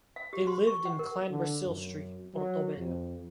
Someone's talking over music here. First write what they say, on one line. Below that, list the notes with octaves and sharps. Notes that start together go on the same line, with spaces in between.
They lived in Clanbrassil Street, Portobello.
F5
G4
C6
C#6
F#5
A#4
D3
F#2
F#3
F2